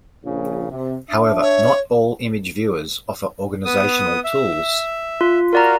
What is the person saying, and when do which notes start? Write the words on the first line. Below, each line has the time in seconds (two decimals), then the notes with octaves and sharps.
However, not all image viewers offer organizational tools.
0.24 A#1 C#3
0.69 C3
1.10 D4 E5
1.42 C#5
3.65 B3 D#6
4.24 E5
5.21 F4
5.53 F4 F#4 A#4 D5 A#5